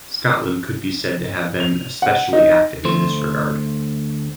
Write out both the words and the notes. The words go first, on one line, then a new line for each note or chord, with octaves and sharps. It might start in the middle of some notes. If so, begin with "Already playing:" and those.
Scotland could be said to have been especially active in this regard.
F7
F#5
D#4
D2 A3 C5